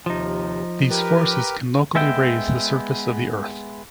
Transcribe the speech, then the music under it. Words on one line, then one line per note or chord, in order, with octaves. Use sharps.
These forces can locally raise the surface of the earth.
D#2 C3 F3 D#4
G4 A#4 B4
G#3 B3 E5 G5